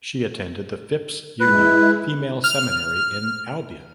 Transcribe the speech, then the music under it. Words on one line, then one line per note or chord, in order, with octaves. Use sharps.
She attended the Phipps Union Female Seminary in Albion.
G#3 E4 B4
F6